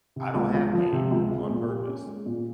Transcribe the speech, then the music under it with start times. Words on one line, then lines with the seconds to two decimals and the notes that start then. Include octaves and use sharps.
I don't have game, on purpose,
0.16 C3
0.35 C#2
0.54 C#2
0.73 F3
0.92 C3
1.11 C#2
1.30 G#3
1.49 A#2
1.68 G4
1.88 C#4
2.07 G#3
2.26 A#2